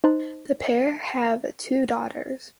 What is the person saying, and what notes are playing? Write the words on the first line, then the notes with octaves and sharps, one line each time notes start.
The pair have two daughters.
D#4 C5 A5 F#6